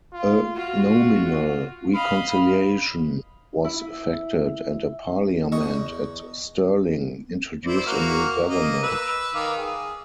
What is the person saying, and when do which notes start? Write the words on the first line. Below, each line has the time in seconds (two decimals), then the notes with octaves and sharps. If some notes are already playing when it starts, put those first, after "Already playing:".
A nominal reconciliation was effected, and a parliament at Stirling introduced a new government.
0.13 F4
0.56 F4 F#4
1.94 D#5 F5 B5
3.65 E4
5.52 E2 D#5 C#6
7.65 E4 C5 D5
7.86 A#3 F#4 F6
8.49 A#3 D#5
8.83 B4 E6
9.34 D#3 F5 D6
9.57 G#4